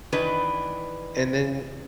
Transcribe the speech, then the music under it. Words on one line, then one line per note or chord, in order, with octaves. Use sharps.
and then
D#3 E3 D4 B4